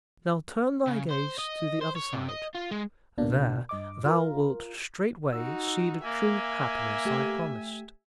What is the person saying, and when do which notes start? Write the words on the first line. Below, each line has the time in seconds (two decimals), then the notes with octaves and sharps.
Now turn thy gaze to the other side; there thou wilt straightway see the true happiness I promised.'
0.87 C#3
1.11 C5
1.39 D#5
1.81 C5
1.96 C#5
2.13 C3
2.28 D#5
2.55 F4
2.71 G#3
3.18 C#2 B2 A#3 D4
3.69 G2 D#5 D6
4.05 F4 A#4
5.33 D#4 F#4 E6
6.05 A#3 E5 G#5
7.05 A3 G4